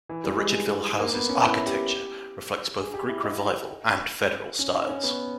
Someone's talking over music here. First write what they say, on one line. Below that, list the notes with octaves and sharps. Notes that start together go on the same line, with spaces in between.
The Richardville Houses' architecture reflects both Greek Revival and Federal styles.
E3
G3
G#3
A#3
B3
C#4
E4
G4
G#4
G4
E4
D#4
C#4
D#4
C#4
B3